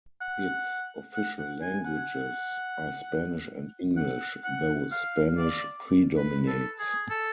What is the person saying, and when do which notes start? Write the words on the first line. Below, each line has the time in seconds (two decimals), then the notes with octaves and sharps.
Its official languages are Spanish and English, though Spanish predominates.
0.21 F#5
1.14 F#5
1.38 F#5
1.62 G#5
1.85 F#5
3.97 F#5
4.44 F#5
4.91 F5
5.38 D5
6.17 B4
6.48 A4
6.79 G#4
7.10 A4